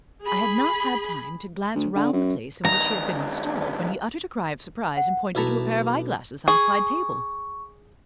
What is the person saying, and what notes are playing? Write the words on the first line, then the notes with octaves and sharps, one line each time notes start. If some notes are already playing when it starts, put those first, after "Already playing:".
I had not had time to glance round the place in which he had been installed, when he uttered a cry of surprise and pointed to a pair of eye-glasses on a side-table.
G#4 B5
D2
D3
F#2
G2 D#3 A#5
F#5
B1 E4 E5 A5 A#5
G#4 C#6